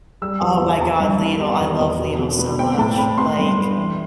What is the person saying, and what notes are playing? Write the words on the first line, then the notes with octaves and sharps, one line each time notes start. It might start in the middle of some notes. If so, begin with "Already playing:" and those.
Oh my god, Lidl, I love Lidl so much. Like,
G3 E6
E2
E2
F3 A5
G2
B3
G3
E2
E2
B2
B2
B3
C4 G5
A2 A5
A2 B5
B3 C6
G2
G2
E3